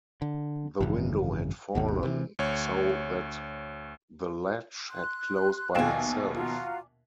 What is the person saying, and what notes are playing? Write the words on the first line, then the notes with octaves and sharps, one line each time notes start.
The window had fallen so that the latch had closed by itself.
D3
G#1 F#2 C#3 E3
G#1 D#2 B2
C3 D#3 E3
D2 C#5
C6 F#6
A#1 D#2 B2 D5 F5 G5 G#5 E7
F4 F#4 A#5